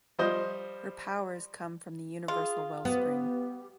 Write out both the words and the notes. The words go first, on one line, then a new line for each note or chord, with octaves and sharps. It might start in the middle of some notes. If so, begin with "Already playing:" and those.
Her powers come from the Universal Wellspring.
F3 G3 C5 D#5
F4 G#4
B3 G4